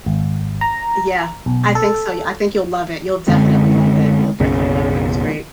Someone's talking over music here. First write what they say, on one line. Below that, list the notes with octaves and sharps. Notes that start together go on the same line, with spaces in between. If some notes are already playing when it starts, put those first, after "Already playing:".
yeah, I think so, I think you'll love it, you'll definitely love it, you'll definitely love it, it's great.
G#1
A#5
B1
A4
F#2 D3 G#3 C4
B1 F#2 C#3